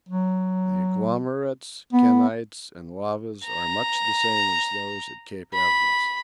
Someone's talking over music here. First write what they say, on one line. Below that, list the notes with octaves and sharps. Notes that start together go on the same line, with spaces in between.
The agglomerates, kenytes, and lavas are much the same as those at Cape Evans.
F#3
B3
A#5
B5